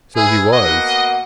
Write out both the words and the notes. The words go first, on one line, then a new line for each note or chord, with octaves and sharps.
So he was.
G#4 B4 E5 G#5
B2 A#3 D#5 F#5